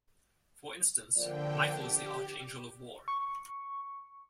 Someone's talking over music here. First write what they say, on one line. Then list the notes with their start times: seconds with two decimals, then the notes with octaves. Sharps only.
For instance, Michael is the Archangel of War.
1.17 D3 F3 A#3 D5 G5
1.77 G4
3.08 C#6